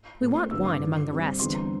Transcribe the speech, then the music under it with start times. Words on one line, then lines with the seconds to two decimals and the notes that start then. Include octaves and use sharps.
We want wine, among the rest.
0.21 A#2 A3 C4
0.51 G2 D3 G3 C4 E6
0.65 D6
0.80 G2 D3 F3
1.11 C3 G3 C4
1.39 E2 D3 G3 C4 C6
1.55 A#5